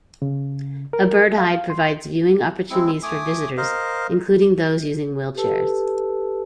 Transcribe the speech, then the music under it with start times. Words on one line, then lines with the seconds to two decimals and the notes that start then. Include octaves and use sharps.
A bird hide provides viewing opportunities for visitors, including those using wheelchairs.
0.22 C#3
0.93 A#4
1.38 F5
1.70 C6
2.70 G#3 C4 E4
3.03 A3 G#5 D6 D#6
3.57 A#4 C5 D#5 F5
5.35 G4 A4 B4 A5 E6